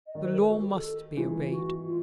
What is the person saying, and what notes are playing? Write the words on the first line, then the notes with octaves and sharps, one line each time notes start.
The law must be obeyed.
D#5
D#3 D5
C5
A#4
A4
F#4
G4
G#4
A4
E3 G#4
F4
F#4
F4